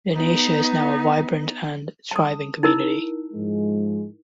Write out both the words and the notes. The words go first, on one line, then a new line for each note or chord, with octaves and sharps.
Lenasia is now a vibrant and thriving community.
B3 D#4
A5 D#6
D#4 E4 A#4
G#2 F3 G#3